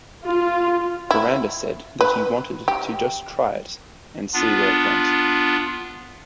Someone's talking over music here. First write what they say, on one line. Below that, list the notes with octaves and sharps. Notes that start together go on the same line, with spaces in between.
Aranda said that he wanted to just try it and see where it went.
F4
E4
B4
G4
B3 D4 F4